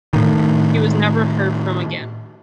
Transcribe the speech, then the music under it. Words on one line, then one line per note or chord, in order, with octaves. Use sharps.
He was never heard from again.
A2 D#3